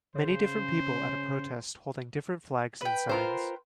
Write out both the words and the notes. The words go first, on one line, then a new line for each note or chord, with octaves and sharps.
Many different people at a protest holding different flags and signs.
C#3 C5
B4 G5
F4 A#4 C5